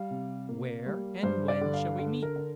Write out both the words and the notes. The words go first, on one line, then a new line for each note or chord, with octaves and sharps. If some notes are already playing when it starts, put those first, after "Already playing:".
Where and when shall we meet?
Already playing: G3 F5
C3
A#3
G3
G2 C5
D5
D3
F5
D3
A#4
D3